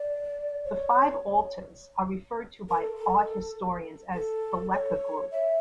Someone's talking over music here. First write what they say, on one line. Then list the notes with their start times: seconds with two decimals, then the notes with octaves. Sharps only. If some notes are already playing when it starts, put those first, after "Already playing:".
The five altars are referred to by art historians as the "Leka group".
Already playing: D5
0.65 C#5
2.69 A#4
2.78 A4
2.98 A4
4.14 A4
4.73 C#5
5.31 E5